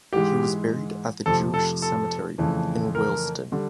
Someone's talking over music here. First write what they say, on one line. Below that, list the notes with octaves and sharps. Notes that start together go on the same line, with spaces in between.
He was buried at the Jewish Cemetery in Willesden.
G#2 E3 G#3 G4
F2 C3 F3 A3 A4
A4
A4
F2 C#3 E3 A3
A#4
D3 G3